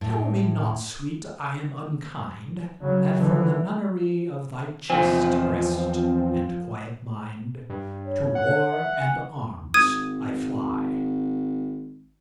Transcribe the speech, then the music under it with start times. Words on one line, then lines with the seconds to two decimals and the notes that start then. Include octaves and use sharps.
Tell me not, Sweet, I am unkind That from the nunnery Of thy chaste breast and quiet mind, To war and arms I fly.
0.01 A2
2.80 C#3 F#3
3.19 D3 E3
4.90 E2 F3 C4 F4 G#5
7.70 G2
8.06 C#5
8.35 F#5
8.72 E5
8.99 G#5
9.74 G#1 D#6 G#6 D#7